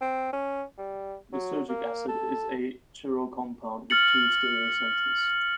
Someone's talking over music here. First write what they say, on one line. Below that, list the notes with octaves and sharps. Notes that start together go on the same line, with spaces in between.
Lysergic acid is a chiral compound with two stereocenters.
C4
C#4
G3
F#3
A#3
A4
F6 A6 C#7 F#7